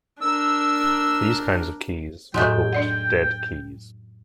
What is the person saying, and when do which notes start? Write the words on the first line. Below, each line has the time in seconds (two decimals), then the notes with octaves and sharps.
These kinds of keys are called dead keys.
0.21 D4 A#4 E6
2.34 F2 A2 F#3 G#3 A3 G5 C6
2.73 D4 D5 F#5